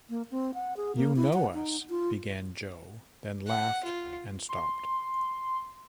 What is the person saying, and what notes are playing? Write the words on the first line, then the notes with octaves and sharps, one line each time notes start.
"You know us," began Jo, then laughed, and stopped.
A#3
C4
F#5
G#4
A#3
E4
F#5
D#4
F4
F#5
F4
C6